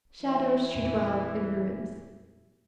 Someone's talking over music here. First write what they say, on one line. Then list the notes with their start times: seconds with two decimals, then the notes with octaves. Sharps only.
Shadows should dwell in ruins.
0.22 E3
0.75 F2 A#2